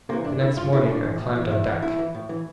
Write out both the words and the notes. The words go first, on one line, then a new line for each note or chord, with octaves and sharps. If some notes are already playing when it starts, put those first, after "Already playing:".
The next morning I climbed on deck.
C3 E3 A#3
G2 D4
D3 E4
G2 F4
D3 E4
A2 D4
E3
A2
E3
E2 E4
E3
E2 E4
E3
A2
E3